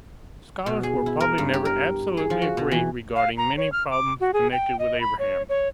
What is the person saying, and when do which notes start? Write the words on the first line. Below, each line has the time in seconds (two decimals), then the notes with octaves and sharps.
Scholars will probably never absolutely agree regarding many problems connected with Abraham.
0.66 B2
0.83 G#4
1.06 E4
1.20 A#4
1.38 G2
1.54 G4
1.65 A#4
2.17 G#4
2.30 F3
2.42 F#4
2.57 B2
2.71 E3
3.16 F5
3.37 A#5
3.57 C#5
3.72 F6
3.90 D6
4.20 F#4
4.33 G#4
4.52 G5
4.79 D#5
5.00 B5
5.19 C#5
5.49 C#5